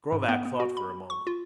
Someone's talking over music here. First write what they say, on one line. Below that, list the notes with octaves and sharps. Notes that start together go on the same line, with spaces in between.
Krovac thought for a moment.
G#2
B3
B3
F#4
B5
C#6
F4